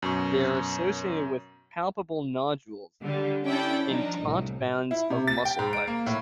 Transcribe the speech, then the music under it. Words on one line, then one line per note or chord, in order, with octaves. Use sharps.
They are associated with palpable nodules in taut bands of muscle fibers.
F#2 B2 C#6
D3 G3
C#4 D4 E4 A4 D5 G5
F3 D4 D#4
C2 A2
E4
C3
A6
G5
G#2
D7
A#3
A2